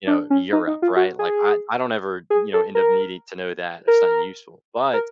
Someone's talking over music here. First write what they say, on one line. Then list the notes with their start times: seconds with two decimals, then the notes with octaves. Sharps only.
you know, Europe, right? Like, I I don't ever, you know, end up needing to know that, it's not useful, but,
0.07 D4
0.30 C#4
0.53 D#4
0.67 D#4
0.82 F4
0.96 F#4
1.19 G#4
2.30 G#4
2.54 A4
2.75 A#4
3.88 A#4
4.93 A#4